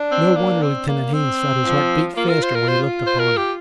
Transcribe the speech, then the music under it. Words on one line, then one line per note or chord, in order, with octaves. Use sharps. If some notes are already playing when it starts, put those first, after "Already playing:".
No wonder Lieutenant Haines felt his heart beat faster when he looked upon her.
Already playing: D4
C4
A#3
C4
A#3
C4
F3
A#3 F4
A#4
C5
A#4
C5
C5
A#4
G4